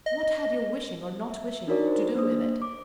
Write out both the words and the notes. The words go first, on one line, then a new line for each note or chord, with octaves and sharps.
What had your wishing or not wishing to do with it?
D#5
E5
D4 D#4 F#4 A#4 C#5 D5
C5
A#3 D4 C5 D#6
D6